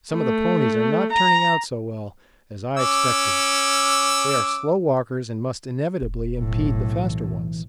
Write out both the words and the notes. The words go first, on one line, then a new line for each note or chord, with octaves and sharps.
Some of the ponies are not turning out so well as I expected; they are slow walkers and must inevitably impede the faster ones.
A3
A#5
C#4 D6 E6
E1
B1 A2
E3